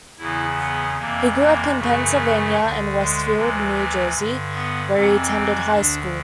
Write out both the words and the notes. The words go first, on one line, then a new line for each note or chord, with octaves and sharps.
He grew up in Pennsylvania and Westfield, New Jersey, where he attended high school.
E2 C#3 E3 E4
B3
F2 C3 E3 A#3
A#3
F#2 C#3 E3 A3
D2 D3
G#3
D2 C3 E3
A3
G2 D3
B3
F2 C3 E3 C4
D2 D3 D4